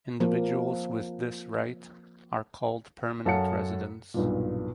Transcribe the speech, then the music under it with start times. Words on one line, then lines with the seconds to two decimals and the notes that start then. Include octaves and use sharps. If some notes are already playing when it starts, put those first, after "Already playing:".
Individuals with this right are called permanent residents.
0.20 F3 A#3
3.26 F#2 A4 C#5 F5 F#5 C#7
4.14 B1 G2 A#2